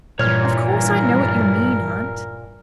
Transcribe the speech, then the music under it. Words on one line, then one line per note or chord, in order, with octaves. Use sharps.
"Of course, I know what you mean, aunt?"
G2 A#2 E3 A#4 C#5 F6